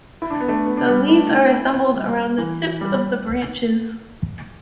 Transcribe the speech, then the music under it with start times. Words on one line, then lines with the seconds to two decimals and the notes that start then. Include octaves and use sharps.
The leaves are assembled around the tips of the branches.
0.22 E4
0.30 D4
0.40 B3
0.48 A3 D4
0.66 B3
0.77 D4
0.88 G3 B3
1.08 A3 D4
1.51 B3 E4
1.94 G3
2.38 E3
2.81 G3